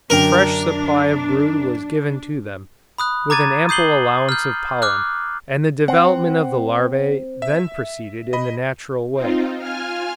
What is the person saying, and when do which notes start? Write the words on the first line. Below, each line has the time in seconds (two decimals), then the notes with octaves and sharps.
A fresh supply of brood was given to them, with an ample allowance of pollen, and the development of the larvae then proceeded in the natural way.
0.10 F#2 D3 D4 A#4 G5
2.98 B5 D#6 F#6
3.30 A#5 D6 G#6 A6 D#7
3.69 D#6 G6 C7 F#7 G7
4.29 F6 G6
4.82 D6 F6 F#6
5.88 C4 F#5
7.42 E5
8.33 D#5 B5
9.14 C4 D#4 F4
9.59 F4 G#5 F6